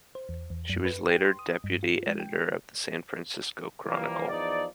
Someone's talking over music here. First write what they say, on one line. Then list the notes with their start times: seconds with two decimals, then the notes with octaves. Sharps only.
She was later deputy editor of the San Francisco Chronicle.
0.15 C5
0.29 E2
0.50 E2
0.70 F#2
0.85 B4
1.11 G5
1.25 C6
1.39 D#6
1.64 G2
1.83 F4
2.07 G#3
2.20 G5
3.86 E3 F3 G3 A#3
4.28 E2 F3 D#4 D5